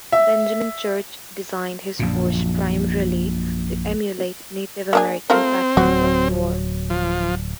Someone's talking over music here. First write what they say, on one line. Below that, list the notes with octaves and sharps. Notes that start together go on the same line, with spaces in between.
Benjamin Church designed his force primarily to emulate Native American patterns of war.
E5
A#1 F#2 A#2
A#3 D4 G#4
A3 C4 F4 A#4
D1 F#3 F#4
F3